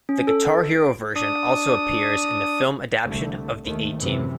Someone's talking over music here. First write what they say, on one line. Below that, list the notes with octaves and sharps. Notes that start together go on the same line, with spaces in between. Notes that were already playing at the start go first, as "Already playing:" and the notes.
The "Guitar Hero" version also appears in the film adaption of the "A-Team".
C#4
A4
D7
D4 D#6
C2 D3 A3
D#2 D#3 A3
F#2 C3 E3